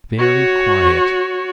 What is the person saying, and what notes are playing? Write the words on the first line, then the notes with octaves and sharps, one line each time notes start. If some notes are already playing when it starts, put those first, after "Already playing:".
Very quiet.
F#4 C#5